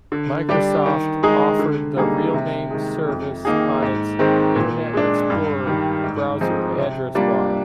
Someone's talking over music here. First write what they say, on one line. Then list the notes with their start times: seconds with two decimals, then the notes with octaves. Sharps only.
Microsoft offered the RealNames service on its "Internet Explorer" browser address bar.
0.12 D3
0.49 G3 D4 G4
0.86 D#3
1.23 G#3 D#4 G#4
1.59 D3
1.97 G3 A#3 D#4 G#4
2.34 C3
2.71 D#3 G#3
3.08 F2
3.45 D#3 A#3 D#4 G#4
3.82 G#2
4.19 D#3 G#3 C4
4.56 A#2
4.93 G#3 D4
5.30 G2
5.67 D#3 G3
6.04 G#2
6.41 F3 C4 D#4 G#4
6.78 C3
7.15 G3 A#3 D4 F4